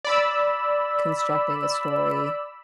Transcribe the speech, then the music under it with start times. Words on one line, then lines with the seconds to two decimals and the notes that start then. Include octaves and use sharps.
constructing a story,
0.05 D5 B5 E6